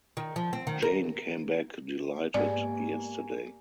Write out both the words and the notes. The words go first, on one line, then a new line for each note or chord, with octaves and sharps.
Jane came back delighted yesterday.
D#3
F3
C4
D#3
A#4
G#2 G#3 A#3 B3 G4 D5 G#5